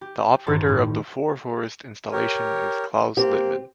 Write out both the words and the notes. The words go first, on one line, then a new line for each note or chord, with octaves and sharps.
The operator of the "For Forest" installation is Klaus Littmann.
G4
E1 A1 G2 D#3 C5 A5
A2
G4 A#4 C#5
A#3 C4 G4